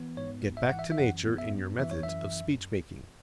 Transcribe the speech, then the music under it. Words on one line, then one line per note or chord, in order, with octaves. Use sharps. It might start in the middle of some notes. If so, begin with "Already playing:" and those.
Get back to nature in your methods of speech-making.
Already playing: E3 B3
G#2 C#5
G#1
E5
E3 F#5
E5
E5
F#2 F#5
B3
E5
F#2
E3 E5
C#5
F#2 E5